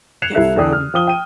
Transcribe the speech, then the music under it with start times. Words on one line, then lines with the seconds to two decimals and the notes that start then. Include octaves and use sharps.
get from
0.22 F#6 G#6 C7 C#7 E7 F7
0.35 C2 E4 A4 E5 F#6
0.57 E2 A4 D5 G5 D#6
0.73 F6
0.94 F3 G5 D#6 G7
1.07 G5 D#7